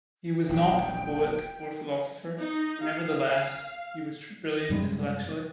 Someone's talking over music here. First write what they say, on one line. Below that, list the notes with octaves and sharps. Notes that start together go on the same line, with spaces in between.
He was not a poet or philosopher, nevertheless he was brilliant intellectually.
D#1 A#1 A#2 G5
D#4
F5
F#2 C3 G3 G#3